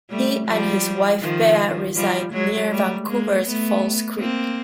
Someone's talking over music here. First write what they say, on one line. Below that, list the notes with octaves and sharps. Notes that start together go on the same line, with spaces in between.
He and his wife Bea reside near Vancouver's False Creek.
G3 A3
F3 G3
D#3 F3
F3 G3
F#3 G#3
G3 A3
G#3 A#3
A3 B3
A#3 C4